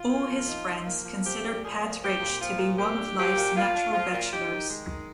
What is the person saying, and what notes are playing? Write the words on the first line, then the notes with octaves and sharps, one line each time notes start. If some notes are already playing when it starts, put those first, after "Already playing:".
All his friends considered Pett Ridge to be one of life's natural bachelors.
Already playing: F4
A#3
F3
D#4
F3
A#3
F3
C4 G4
A#2
F3 G#4
A#2
C4 G4
A#2
F3 F4
A#2
A#3 G4
D4
F3 G4
A#2
A#3 F4
D4
F3 F4
A#2
D#4 G4
D#3
G#3
D#3